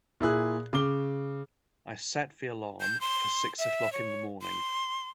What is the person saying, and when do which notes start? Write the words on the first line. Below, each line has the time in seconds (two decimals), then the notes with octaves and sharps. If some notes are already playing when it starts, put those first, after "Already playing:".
I set the alarm for six o'clock in the morning.
0.20 A#2 E4 G#4 F#6
0.73 C#3 D6 G7
2.81 G6
3.01 C6
3.59 E5
3.93 C#5
4.41 C6